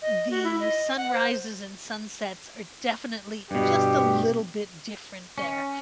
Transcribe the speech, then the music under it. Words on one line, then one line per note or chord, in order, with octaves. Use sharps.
the sunrises, and sunsets are definitely just a little bit different there,
D#5
F#4
E4
D#5
F#5
C5
G2 B2 G4
C#4